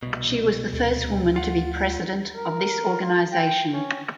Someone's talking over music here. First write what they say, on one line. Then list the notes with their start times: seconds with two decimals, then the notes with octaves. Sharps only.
She was the first woman to be president of this organization.
0.03 C2 B2
0.73 D2
1.36 F4 F#5
2.35 A#4
3.01 F4
3.32 G5
3.73 C#4